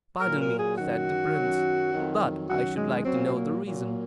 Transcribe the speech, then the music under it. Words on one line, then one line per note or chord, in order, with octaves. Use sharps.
"Pardon me," said the prince, "but I should like to know the reason."
A#2 F#3 A#4
A#4
G#4
F#2 D#3 F#3 F#4
F#2 D#3 F#3
F2 D#3 F#3
F#2 D#3 F#3 F#4
G#3
A#2 F#3 C4
C4
A#3
A#2 F#3
A#3